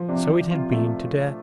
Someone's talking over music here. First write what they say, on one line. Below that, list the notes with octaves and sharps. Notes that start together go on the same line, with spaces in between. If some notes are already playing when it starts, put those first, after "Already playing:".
So it had been today.
Already playing: F3
C3 D4
C3
C3 F4
A3